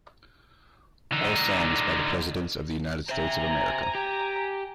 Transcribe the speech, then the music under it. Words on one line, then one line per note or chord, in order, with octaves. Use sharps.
All songs by The Presidents of the United States of America.
D3 D#4
C5 E5 G#5 A#5
G4